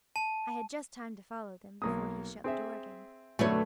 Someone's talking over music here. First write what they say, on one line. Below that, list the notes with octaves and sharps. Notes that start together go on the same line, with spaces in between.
I had just time to follow them, before he shut the door again.
A5
B1 A#3 D#6
C4 G#4 E5
F#2 B2 D3 A3 B4 C#5